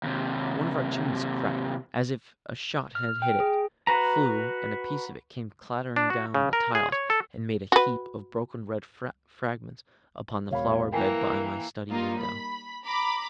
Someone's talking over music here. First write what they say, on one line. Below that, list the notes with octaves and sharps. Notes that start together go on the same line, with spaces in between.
One of our chimneys cracked as if a shot had hit it, flew, and a piece of it came clattering down the tiles and made a heap of broken red fragments upon the flower bed by my study window.
D#2 C3
F6
F6
G5
G#4
F#4 B4 A#5
D4
F#4
C#3
A#4
G#4
C#5
A4
F#4 B4
E1 C#5 F5 B5
E3 A#3 A#4 G5 G#5
G3 A#3 D#4 F4
B5
A#5 B5 D6